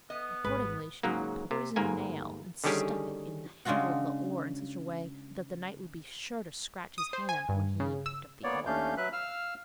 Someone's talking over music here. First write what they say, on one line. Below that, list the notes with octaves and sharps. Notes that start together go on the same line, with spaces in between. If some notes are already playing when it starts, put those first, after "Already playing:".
Accordingly she took a poisoned nail and stuck it in the handle of the oar in such a way that the knight would be sure to scratch his hand when he picked up the oar.
B3 D#5
G#1 G#3 B4
G#2 C#3 F#3 A#3
C3
G1 G#2 A#3 G#5
D3 D#3 G3 C#4 G4 G#4
C#3 G#3 D4 F4 F#4 F#5
D#6
C5
G#5
G2
C#3
E6
A#3 B3 C#5 D5
D#2 A3 C#4 D4 F5 G6
F#3 B4 E5 F#6
F5 E6 F6